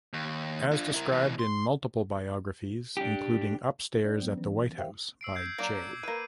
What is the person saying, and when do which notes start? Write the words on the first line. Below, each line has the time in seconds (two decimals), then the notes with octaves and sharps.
As described in multiple biographies, including "Upstairs at the White House" by J.
0.13 D#2
0.72 D4 F4
0.93 E4 A#4
1.11 B2 E3
1.39 C6
2.97 D4 G4
4.04 D4 C5 D5
4.20 F#3 B3
4.34 E3 C#4
4.77 G4 A#4 C5 E5 F5 G5
5.21 E6 C7 D7
5.35 G6 G#6 C7
5.58 F#3 A#3 D4 D6 G6 D7
6.03 A#3 B4 D#7